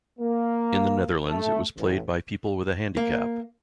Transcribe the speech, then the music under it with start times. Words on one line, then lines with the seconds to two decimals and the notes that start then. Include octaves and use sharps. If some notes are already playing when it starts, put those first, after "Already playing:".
In the Netherlands it was played by people with a handicap.
0.20 A#3
1.28 A3
1.76 A1
2.97 A#3